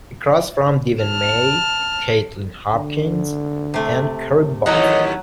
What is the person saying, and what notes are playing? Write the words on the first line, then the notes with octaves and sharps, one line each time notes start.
Across from Deven May, Kaitlin Hopkins, And Kerry Butler.
A5 F6
D3
C3 A3
D#2 A2 E3 F#3 C#4 D#5 F#5